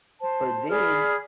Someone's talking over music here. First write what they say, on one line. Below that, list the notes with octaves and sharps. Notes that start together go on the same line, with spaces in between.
but then,
C5 A5
G#4 D5 B5 F6